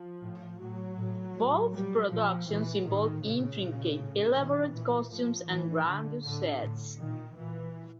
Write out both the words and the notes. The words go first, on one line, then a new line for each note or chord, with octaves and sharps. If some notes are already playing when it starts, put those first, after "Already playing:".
Both productions involve intricate, elaborate costumes and grandiose sets.
Already playing: F3
A2
A2 F#3
A2
A2
A#2 G3
A#2 F3
A#2 E3
A2 D#3
A#2 C#3
A#2
A2
A#2 D#3
A#2 E3
A2 F3
A2 E3
A#2 D3
A2 D3
A2
A#2 D#3
A#2 E3